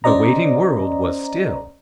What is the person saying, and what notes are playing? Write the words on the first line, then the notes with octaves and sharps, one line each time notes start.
"The waiting world was still."
C#4 C5 D5 D#5 A#5